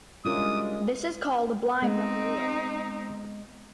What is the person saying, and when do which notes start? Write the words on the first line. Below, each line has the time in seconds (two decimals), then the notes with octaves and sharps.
This is called a "blind" referral.
0.25 G3 G#3 C#4 D4 E4 F4 A#4 D#6
1.82 G#3 B3 C4 D#4 D#5